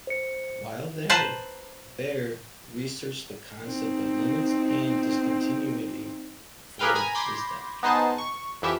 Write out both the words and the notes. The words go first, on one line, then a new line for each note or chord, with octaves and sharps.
While there, Baire researched the concept of limits and discontinuity for his doctorate.
C5 C#7
B4 C5 A5 A#5
C4 D#4
G4 G#4 A#4 B4 F5 G5
G#5 A#5 B5 G#6
B5 C6 D6 G6 G#6 A#6
B3 D#4 G#4 C5 A5
C#6
F2 E3 F3 G4 E5